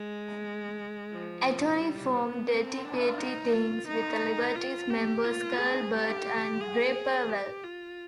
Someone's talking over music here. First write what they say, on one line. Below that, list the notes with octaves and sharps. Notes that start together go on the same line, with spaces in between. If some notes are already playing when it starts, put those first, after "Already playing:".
Anthony formed Dirty Pretty Things with Libertines members Carl Barat and Gary Powell.
Already playing: G#3
F3
G3
B3
C4
D4
D#4
F4
D#4
F4
G4
F4
G#4
G4
G#4
G4
F4